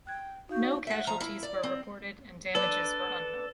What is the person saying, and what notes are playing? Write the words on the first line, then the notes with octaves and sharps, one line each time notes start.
No casualties were reported and damages were unknown.
G5 F#6 G#6
D#4 F#4 F5 G6
D5
E5 F#5
F3 A#5
A#3 E4
D5
C4
D4 A4 B4 D5